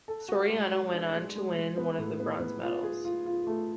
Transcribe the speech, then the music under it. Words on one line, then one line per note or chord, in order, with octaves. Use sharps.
Soriano went on to win one of the bronze medals.
A4
F#4
G#3
F#4
D4
G#3
G#3
G#3
B3
A2
B3
B3
F4
G#4
F4
F4
A3